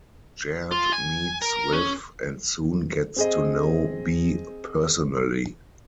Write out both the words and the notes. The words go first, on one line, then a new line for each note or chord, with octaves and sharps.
Jared meets with and soon gets to know B personally.
F4
G#5
A#4
C#4
C4 G#4 D#5